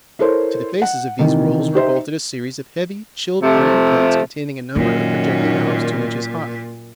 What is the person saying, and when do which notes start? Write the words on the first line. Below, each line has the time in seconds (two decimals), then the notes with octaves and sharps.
To the faces of these rolls were bolted a series of heavy, chilled-iron plates containing a number of projecting knobs two inches high.
0.19 E4 A4 A#4 C5 C#5
0.82 F#5
1.19 C3 D#3 E3
1.74 D#4 G4 C5 E5
3.42 C3 F3 A3
4.76 F#2 A#2 D#3 A#3 C#4